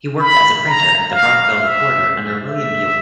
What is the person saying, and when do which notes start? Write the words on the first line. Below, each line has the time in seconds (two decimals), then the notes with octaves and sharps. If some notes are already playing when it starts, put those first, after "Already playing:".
He worked as a printer at the "Brockville Recorder" under William Buell.
0.20 B5
0.66 A#5
1.11 F5
1.57 E5
2.50 E5